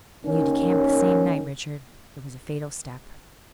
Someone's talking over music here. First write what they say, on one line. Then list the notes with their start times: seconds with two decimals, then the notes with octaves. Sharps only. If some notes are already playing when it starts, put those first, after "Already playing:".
"And you decamped the same night, Richard; it was a fatal step."
0.23 D#2 D#3 C#4 A#4